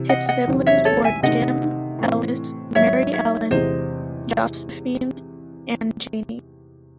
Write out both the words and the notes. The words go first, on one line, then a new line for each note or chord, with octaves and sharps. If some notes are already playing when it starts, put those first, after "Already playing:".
His siblings were Jim, Ellis, Mary Ellen, Josephine and Janie.
Already playing: C3 E3 C4
D#5 F#5
D#5 F#5
E2 C3 D#3 F#3 C4
C#5 E5
A4 C#5
E5 G#5
C3 D#3 A3 D#4 D#5 F#5
A2 E3 C4
G#2 D#3 F#3 C#5 E5
C#5 E5
E2 C3 E3 G#3 C5 D#5